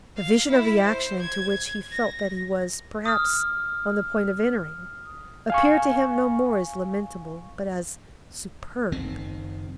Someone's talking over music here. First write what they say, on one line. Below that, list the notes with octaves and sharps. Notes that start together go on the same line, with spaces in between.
The vision of the action into which he felt that he was, perhaps, on the point of entering, appeared to him no more as lamentable, but as superb.
F5
E4
C5
G#6
A#6
D#6 F6
F5 G#5 C#6
F#1 D#3 C4